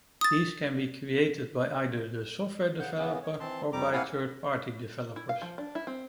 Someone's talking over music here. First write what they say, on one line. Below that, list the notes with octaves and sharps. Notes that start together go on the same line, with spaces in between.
These can be created by either the software developer or by third party developers.
D#6 A6
C#3 F#5 G6
C#3 E3 B3
C#5
E3 C4 A5 C6
F2 G3 A#5 D6
A#3 C4 E4 F5 F#5 G#5
E4
F5
F3
D4
E4
C4